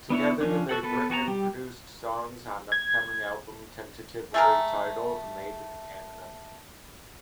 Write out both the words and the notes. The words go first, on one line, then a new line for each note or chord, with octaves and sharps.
Together, they've written and produced songs on upcoming album, tentatively titled: "Made In Canada".
B3 D4 E4 C#5
F3 C#4 D4
F#4 A4 F#5
B3 A4 B4
B3 F#4 G#5 A#5
G3 G4
G#6
A3 G#4 A#4